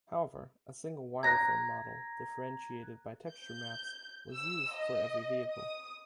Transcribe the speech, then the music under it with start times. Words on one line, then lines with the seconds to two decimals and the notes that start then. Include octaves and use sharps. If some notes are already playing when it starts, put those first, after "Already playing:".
However, a single wire-frame model, differentiated by texture maps, was used for every vehicle.
1.23 A#5 F#6 G#6 A#6
3.32 G6
4.33 E6
4.73 D#5
5.53 D#6